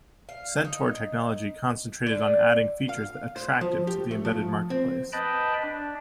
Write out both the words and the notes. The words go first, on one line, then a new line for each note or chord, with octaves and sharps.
Centaur Technology concentrated on adding features attractive to the embedded marketplace.
F5
D#4
D3
F5
C5
F3
G4
A3
F3
C4
B4 D#5 G5 A5 B5
D4